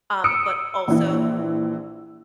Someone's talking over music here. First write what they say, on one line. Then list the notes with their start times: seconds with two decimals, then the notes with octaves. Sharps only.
Um, but also
0.24 D#6 E6 C#7 D7
0.88 A#1 E3